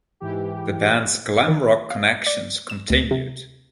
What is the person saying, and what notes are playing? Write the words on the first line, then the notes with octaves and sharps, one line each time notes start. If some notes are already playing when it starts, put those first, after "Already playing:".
The band's glam rock connections continued.
G#2 E3 G4
D#3
F5
D5
E7
D2
C3